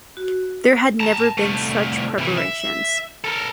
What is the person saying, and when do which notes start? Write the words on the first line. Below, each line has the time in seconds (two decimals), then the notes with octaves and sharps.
There had never been such preparations.
0.17 F#4
1.00 A5 A#5
1.38 C2 A3
2.18 C3 E3
2.38 E5
3.24 A4 A#4